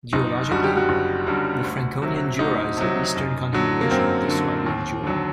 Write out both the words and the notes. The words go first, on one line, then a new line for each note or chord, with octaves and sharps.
Geologically, the Franconian Jura is the eastern continuation of the Swabian Jura.
F#1 D#4
F#2 D3 G3 F#4
G4
F#4
F#1
F#2 D3 G3
D2
C3 F#3
D2 D#4
C3 F#3
F#2
D3 F#3
A#3
F#2 C4
D3 F#3
D#2
D3 F#3